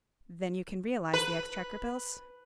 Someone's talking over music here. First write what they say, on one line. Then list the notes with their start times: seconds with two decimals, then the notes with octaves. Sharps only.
"Then you can realize the Exchequer bills?"
1.14 B4